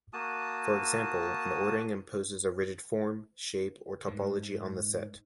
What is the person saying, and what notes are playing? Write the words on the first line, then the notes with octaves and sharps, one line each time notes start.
For example, an ordering imposes a rigid form, shape, or topology on the set.
A#3 F#4 A5 D#6
G#2